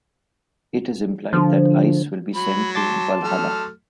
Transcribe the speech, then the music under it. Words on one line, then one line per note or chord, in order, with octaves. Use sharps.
It is implied that Ice will be sent to Valhalla.
D3 F3
F#3 B5
A5 C6 D6 A6
F#3 A3 F6